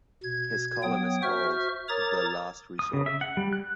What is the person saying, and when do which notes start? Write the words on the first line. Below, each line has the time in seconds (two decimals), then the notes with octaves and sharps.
His column is called "The Last Resort".
0.23 B2 G#6
0.83 F#3 B3 C#5 G5 D#6
1.23 F#4 C5 E5 C#6 F6
1.89 A#4 C#5 A#5 D6 D#6 A6
2.79 D#6
2.93 C#3
3.06 E5
3.21 F#5
3.37 G3
3.53 F#6